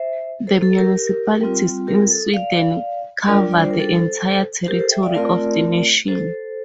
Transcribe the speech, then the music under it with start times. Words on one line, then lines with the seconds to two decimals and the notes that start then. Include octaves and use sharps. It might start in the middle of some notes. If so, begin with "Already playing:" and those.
The municipalities in Sweden cover the entire territory of the nation.
Already playing: C5 E5
0.47 A4 C5
0.63 A4
0.78 G4 A#4
1.41 G3 C4 F4
1.87 G4 A#4
2.11 A4
2.34 D5 F5
3.27 G3 D4 F4 A#4 D5
3.51 D5
3.61 C5
3.70 A#4
3.80 A4 C5
4.64 C5
4.68 G4 A#4
4.79 A4 C5
4.91 E5 G5
5.03 D5 F5
5.15 A3 C4 F4 A#4 D5
6.08 A4 C5